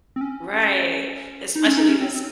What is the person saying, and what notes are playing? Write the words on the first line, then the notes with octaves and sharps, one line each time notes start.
Right, especially if it's
C4
C#4
D#4
C#4
D#4
C#4
C4
C4